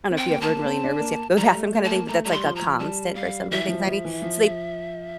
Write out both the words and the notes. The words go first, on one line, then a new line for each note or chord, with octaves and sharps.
I don't know if you ever been really nervous, you have to go to the bathroom kind of thing, but that's, like, a constant for somebody with anxiety. So, they
C4
G5
A#3
A5
A#3
C4
D4
A#3
G3 A#5
A3
A3
A5
A#3
A3 A#5
G3 A#5
C6
F3
A#5
F3
G3 A5
G3 F5
E3 E5
F3
G3
F3
E3
F3